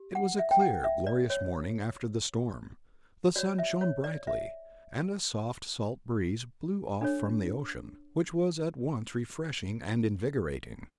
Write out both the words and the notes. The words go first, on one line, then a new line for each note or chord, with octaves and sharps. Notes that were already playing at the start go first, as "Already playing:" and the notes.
It was a clear, glorious morning after the storm; the sun shone brightly, and a soft salt breeze blew off from the ocean, which was at once refreshing and invigorating.
Already playing: G4
F#5
E5
G5
F#5
E5
D5
C#5
F#4 C#5 D5
E5
C#5
D5
E5
D4 A4 C#5